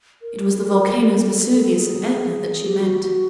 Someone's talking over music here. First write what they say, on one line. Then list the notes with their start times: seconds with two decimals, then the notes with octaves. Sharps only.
It was the volcanoes Vesuvius and Etna that she meant.
0.22 A#4
1.23 A4
1.50 A4
1.62 A4
1.75 G#4
2.51 G#4
2.64 G4
2.78 F#4